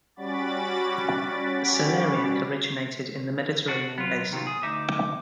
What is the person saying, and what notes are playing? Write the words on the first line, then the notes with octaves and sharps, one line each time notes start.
Celeriac originated in the Mediterranean Basin.
G3 C#4 F#4 B5 D6 A6
D4 F#4
F#3 B3 F4
C3 D#3 F#3 F4
G#4 D#6
D2 D#4 E5 D6